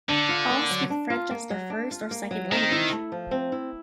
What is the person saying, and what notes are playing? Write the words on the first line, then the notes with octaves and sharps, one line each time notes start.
All speak French as their first or second language.
D3 D4
F4
A#3
F#3
D4
F4
A#3
F#3
D4
F4
A#3
F#3
D#3 C4
E4
A3
F3
C4
E4